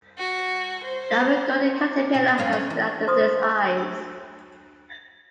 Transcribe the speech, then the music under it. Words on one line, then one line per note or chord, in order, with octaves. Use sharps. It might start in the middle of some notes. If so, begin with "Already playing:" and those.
The Irvin Golden Caterpillar has amethyst eyes.
F#4
C5
B2
F#2 C#4 F5
C#4
E3
C5 C6 D#6